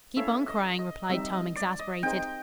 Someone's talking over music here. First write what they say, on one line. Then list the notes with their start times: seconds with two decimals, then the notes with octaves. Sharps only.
"Keep on crying," replied Tom exasperated.
0.17 C#4 E4 A4 C#5 E5 F5
0.48 D#5
0.79 D#5
1.10 G3 C4 D#4 E5
1.33 D#5
1.56 D5
1.79 D#5
2.03 C4 D#4 G#4 C5 G5